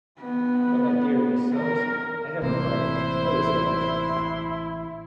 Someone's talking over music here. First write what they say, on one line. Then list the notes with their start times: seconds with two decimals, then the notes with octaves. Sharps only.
But, my dear Miss Summerson, I have no art, no disguise.
0.20 B3
1.56 A#4
2.42 A1 C3 A#3 D4 E4 G4 C5 C6